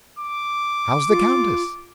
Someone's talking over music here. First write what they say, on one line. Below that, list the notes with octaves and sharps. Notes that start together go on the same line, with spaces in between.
How's the countess?
D6
F4